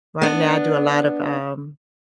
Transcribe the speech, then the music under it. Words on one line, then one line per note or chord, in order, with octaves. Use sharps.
right now I do a lot of, um,
B3 D4